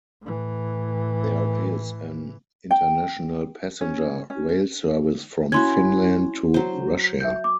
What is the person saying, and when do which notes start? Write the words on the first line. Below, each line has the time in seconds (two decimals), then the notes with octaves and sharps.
There is an international passenger rail service from Finland to Russia.
0.22 A2 E3
2.71 G5
3.81 C#4
4.30 C#4
5.52 C#4 E4 F#4 C6 G#6
6.54 F#3 C5
7.20 E5 G6
7.44 D6